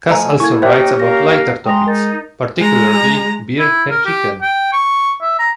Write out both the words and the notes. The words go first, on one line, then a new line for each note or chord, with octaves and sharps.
Kass also writes about lighter topics, particularly beer can chicken.
F3 A3 D#5 G#5 A#5
A#3 E4 A4 C#6 G#6
A#3 C#4 D#4 G4 C5 E5 G5 F#6
A#4 F5 A#6
G#3 G5 A#5 C6 D#6 A#6
D#4 A#4 A6
G#3 A#5
E4
A#4
G4
G5
C#6
E5
A#5